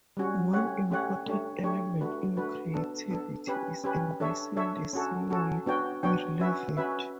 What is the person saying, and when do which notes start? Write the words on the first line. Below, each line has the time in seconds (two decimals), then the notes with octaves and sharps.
One important element in creativity is embracing the seemingly irrelevant.
0.17 G3 C#4 F#4
0.53 A3 C#4 G4 C#5 F#5
0.91 A3 C#4 G4 C#5 F#5
1.26 A3 D4 G4 C#5
1.63 A3 D4 G4 C#5
2.01 A3 D4 F#4 B4
2.37 A3 D4 F#4 B4
2.74 B3 D4 A4
3.11 B3 D4 A4
3.47 C#4 G4 B4
3.84 C#4 G4 B4
4.20 D4 A4 C#5 E5
4.56 D4 A4 C#5 E5
4.93 C#4 F#4 A4
5.30 C#4 F#4 A4
5.66 B3 D4 F#4 C#5 G5
6.03 B3 D4 F#4 C#5 G5
6.40 C#4 F#4 B4 E5
6.77 C#4 F#4 B4 E5